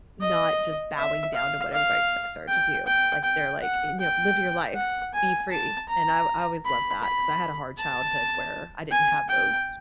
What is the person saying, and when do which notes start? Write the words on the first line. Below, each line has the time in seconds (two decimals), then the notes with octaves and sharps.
not just bowing down to what everybody expects her to do, like they're like, you know, "Live your life. Be free," and I I always loved that 'cause I had a hard childhood where I didn't have those
0.21 D#5
0.97 E5
1.35 F5
1.73 F5
2.49 G5
2.86 G5
3.25 G5
3.62 F#5
4.00 G5
4.76 F#5
5.14 G#5
5.51 A5
5.89 A#5
6.65 B5
7.03 B5
7.79 A5
8.91 G#5
9.29 G5